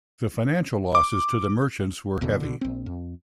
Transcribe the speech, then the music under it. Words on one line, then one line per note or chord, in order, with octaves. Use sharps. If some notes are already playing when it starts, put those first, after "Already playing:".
The financial losses to the merchants were heavy.
D6
F1 E2 B2 D3
B2 D3
A#1 C4
F2